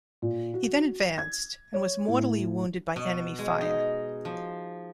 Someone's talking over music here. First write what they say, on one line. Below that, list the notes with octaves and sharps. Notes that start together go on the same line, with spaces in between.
He then advanced and was mortally wounded by enemy fire.
A#2
F#4
G#6
C#5
A2
B2
G#3
D#4
F3